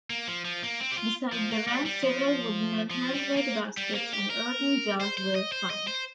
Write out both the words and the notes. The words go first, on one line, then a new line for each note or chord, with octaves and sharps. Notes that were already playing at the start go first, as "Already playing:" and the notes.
Beside the ramp several wooden and hand-made baskets and earthen jars were found.
A#3
F3
F3
A#3
C4
G4
F4
F3
A#3
G3
G3
F3
F3
G3
A#3
G3
A#3
G4
A#4
C5
C5
D#5
C5
D#5
C5